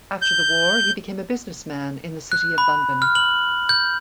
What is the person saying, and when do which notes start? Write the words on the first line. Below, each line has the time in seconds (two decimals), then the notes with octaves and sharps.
After the war, he became a businessman in the City of London.
0.22 G6
2.32 F#6
2.58 B5
3.02 F6
3.15 F#7
3.69 G6